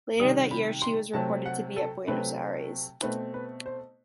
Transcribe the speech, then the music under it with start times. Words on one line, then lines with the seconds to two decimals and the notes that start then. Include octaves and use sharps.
Later that year she was reported to be at Buenos Aires.
0.19 C3 D#3 G3 D#6
0.51 B5
0.82 C6
1.13 C3 F#3 A3 C4 A5
1.46 F#5
1.76 A4
2.08 C3 F#3 A3 C4 B4
3.02 B2 A3 C4 B4
3.34 B4
3.66 C5